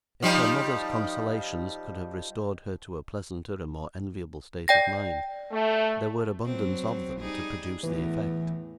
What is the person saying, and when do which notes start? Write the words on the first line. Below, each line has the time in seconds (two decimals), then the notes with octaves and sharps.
If her mother's consolations could have restored her to a pleasanter and more enviable state of mind, there were abundance of them to produce the effect.
0.22 F3 G3 D#4
4.68 D5 G5 A#6
5.51 A3
6.46 B2 F#3 C4
7.19 G3 D#4 G#4
7.83 E2 A2 E3